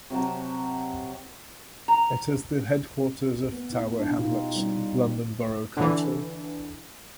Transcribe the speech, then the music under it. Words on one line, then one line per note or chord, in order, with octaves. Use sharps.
It is the headquarters of Tower Hamlets London Borough Council.
C3 F#3 A5
A#5
B3
E4
D4
B2 D#4 F4 G4
G3 C#4
D3 E3